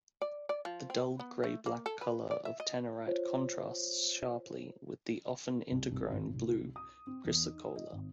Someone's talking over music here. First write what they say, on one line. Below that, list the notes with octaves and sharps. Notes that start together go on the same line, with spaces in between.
The dull grey-black color of tenorite contrasts sharply with the often intergrown blue chrysocolla.
D5
D5
F3
C4
B3
A3
A#3
A4
B4
D5
E5
D#5
F4 C5 C#5
C2
C2
G#1
C2
D#6
C4
E2
D#4
D#5
G#1